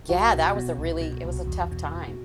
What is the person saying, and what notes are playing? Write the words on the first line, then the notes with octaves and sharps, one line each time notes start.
Yeah, that was a really it was a tough time.
C2 F#4
B2
B2
C2
B2
C2
E2
B2
B2